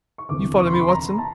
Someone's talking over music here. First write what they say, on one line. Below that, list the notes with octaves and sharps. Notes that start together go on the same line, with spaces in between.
You follow me, Watson?
C#6
E1 D2 C3 E3 D6
C#6
C6
B5
C6
A#5
A5